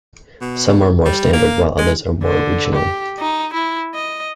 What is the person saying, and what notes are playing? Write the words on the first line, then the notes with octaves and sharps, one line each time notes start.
Some are more standard, while others are more regional.
B2
G3
A#3
G#3
D3
G4
D#4
E4
D#5